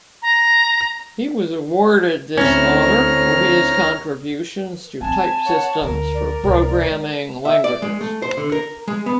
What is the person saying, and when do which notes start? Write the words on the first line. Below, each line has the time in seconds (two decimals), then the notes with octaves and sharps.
He was awarded this honor for his contributions to type systems for programming languages.
0.22 A#5
2.38 D2 C4 C#4 E4 C#5 A#5 F6
5.01 C4 D#4 G#5 A5
5.46 C#5 F#5
5.81 D2 D3 A#4
6.14 D5
6.44 C#2 C3
6.83 G#3
7.45 E5
7.64 D5
7.82 G#3
8.01 A3
8.22 C5
8.37 D3
8.52 A#4
8.88 G#3
9.06 B3